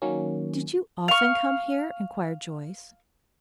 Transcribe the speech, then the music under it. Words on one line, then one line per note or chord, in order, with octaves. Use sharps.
"Did you often come here?" inquired Joyce.
D#3 F#3 A#3 C#4
F5 C#6